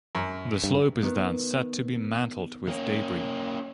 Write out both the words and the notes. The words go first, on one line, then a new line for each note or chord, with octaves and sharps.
The slope is then said to be "mantled" with debris.
F#2
G2
D#3 B3
A#3 C#4